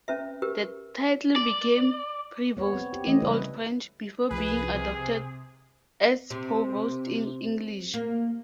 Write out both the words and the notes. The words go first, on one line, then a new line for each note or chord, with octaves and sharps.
The title became "prevost" in Old French, before being adopted as "provost" in English.
C#4 B4 E5
G4 A#4 B4
D5
B3 C#5
C4
G4
E3 A3 C#4 D#5
C#3 G3 E4 B4
C2 F3 G#4 B4
C3
C3
A#3